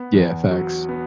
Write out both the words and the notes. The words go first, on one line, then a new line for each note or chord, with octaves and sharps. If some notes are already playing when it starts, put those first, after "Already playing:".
Yeah, facts.
Already playing: B3
E2
F#3
B3